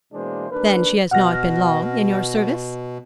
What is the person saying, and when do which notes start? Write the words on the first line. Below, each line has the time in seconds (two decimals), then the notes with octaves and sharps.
"Then she has not been long in your service?"
0.13 B2 E3 G#3 A#3 D4 C5
0.51 D#2 D4 A#4 B4
1.11 B2 F#5 F6 A#6